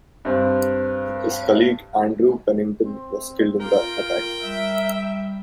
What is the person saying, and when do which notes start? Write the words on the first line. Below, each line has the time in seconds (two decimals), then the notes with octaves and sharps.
His colleague, Andrew Pennington, was killed in the attack.
0.25 G2 C4
2.85 C4
3.60 F4 A#4 G5
4.43 G3 E5